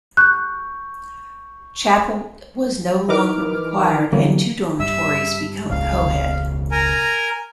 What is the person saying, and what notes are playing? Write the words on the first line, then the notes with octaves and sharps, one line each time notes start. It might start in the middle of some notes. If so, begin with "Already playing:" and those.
Chapel was no longer required and two dormitories become coed.
C#6 F#6 G6
E3 D#4 A#4 B4 D6 F6
D3 E3 F#3 G3 A#3 B3
G2 E5 E6
E1 C#2 C#3 F5
A#4 G#5 A#5